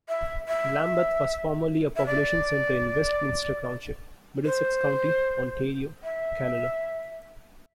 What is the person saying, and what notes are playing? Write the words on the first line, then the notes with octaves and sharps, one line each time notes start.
Lambeth was formerly a population centre in Westminster Township, Middlesex County, Ontario, Canada.
E5
E5
E5
D5
C5
E5